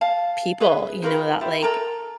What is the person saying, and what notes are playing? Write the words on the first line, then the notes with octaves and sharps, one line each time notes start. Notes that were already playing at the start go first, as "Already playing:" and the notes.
people, you know, that, like,
F5 A5
G#4 B4 E5
D#4 F4 A#4 B4
E4 F4 G4
A4 A#4 A#5